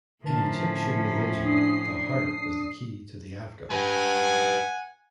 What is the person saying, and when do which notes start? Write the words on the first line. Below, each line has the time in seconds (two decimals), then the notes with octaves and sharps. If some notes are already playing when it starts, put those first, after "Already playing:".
In Egyptian religion, the heart was the key to the afterlife.
0.24 A2 D3 F3 C#4 A#4 A5
1.44 D4 D#6 C7
3.71 G4 B4 F#5 G#5